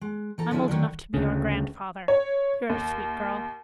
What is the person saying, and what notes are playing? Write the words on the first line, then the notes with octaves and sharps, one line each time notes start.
I'm old enough to be your grandfather. You're a sweet girl.
G#3
E3 A4 A#5
D3 F3 C#4 E4 G#4
D3 D#3 F#3 D4
D2 C#3
C#5
D#2